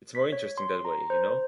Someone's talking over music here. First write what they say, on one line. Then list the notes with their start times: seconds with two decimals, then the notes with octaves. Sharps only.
It's more interesting that way, you know?
0.15 B6
0.32 C#5
0.58 C6
0.85 A#5
1.10 C5